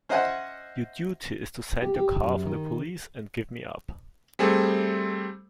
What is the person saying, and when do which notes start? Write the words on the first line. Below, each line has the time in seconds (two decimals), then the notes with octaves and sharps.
Your duty is to send your car for the police and give me up.
0.09 C#4 C5 D#5 E5 F#5 G#5
1.82 G4
1.96 G4
2.23 F#2
2.46 D#3
4.39 G3 A3 C4 G#4